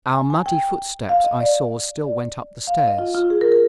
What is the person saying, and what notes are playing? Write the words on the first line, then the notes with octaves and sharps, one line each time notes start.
Our muddy footsteps I saw still went up the stairs.
G#5
G#5
G5
F5
D#5
D5
D5
F5
F5
D#5
F4
F4
G#4
A#4
A#4